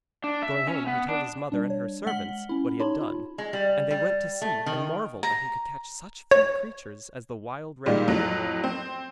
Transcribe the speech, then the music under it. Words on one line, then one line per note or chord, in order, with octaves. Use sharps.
Going home, he told his mother and her servants what he had done, and they went to see, and marvelled that he could catch such fleet creatures as the wild red deer.
D4
E5
C#4
B3
D4
G3 D4
C#5
G#3 F#5 F6 B6 F#7 G7
C#4 E4
D#4 G4 C#5 A5 B5 C6
F4
G#3
G3
G3
A3
D#3
A#5
C#5
A#2 D#3 G3 G#3
F2 A2 F#3
C4